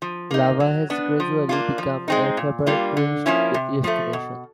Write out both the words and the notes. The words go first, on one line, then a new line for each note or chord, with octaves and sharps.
Lava has gradually become a favorite tourist destination.
F3
A#3 D#4
F#3
B3 D4
F3
A#3 D4 F4
F3
G#3 C4 D#4
A#2
G3 A#3 D4 F4
D3
F3 A#3 C#4 E4
C3
F3 A3
B2